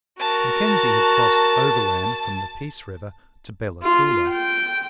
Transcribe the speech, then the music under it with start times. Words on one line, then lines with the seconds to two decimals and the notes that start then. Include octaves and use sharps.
Mackenzie had crossed overland from the Peace river to Bella Coola.
0.20 F#4 A#4 A5
3.83 F4
4.30 G5